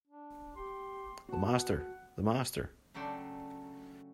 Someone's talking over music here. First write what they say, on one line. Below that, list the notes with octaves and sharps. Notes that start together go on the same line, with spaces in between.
The Master, the Master!
D4
G4 C6
B3 F#4 F#5 A5
C#3 F#3 A3 D4 G5 C6